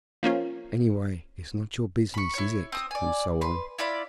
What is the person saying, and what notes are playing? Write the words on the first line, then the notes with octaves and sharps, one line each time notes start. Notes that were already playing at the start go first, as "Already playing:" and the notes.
"Anyway, it's not your business, is it?" And so on.
F3 A#3 C#4 F4
B5 C#6
E4 C#5
C4 D#6
D5 G#5
B4 C6
E4 F4 D5 B5